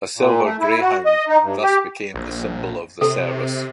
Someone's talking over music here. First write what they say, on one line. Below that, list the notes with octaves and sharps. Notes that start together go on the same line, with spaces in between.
A silver greyhound thus became the symbol of the Service.
A#2
A3
E4
F#4
D#5
D#4
G2
G4
A#1
C3 A4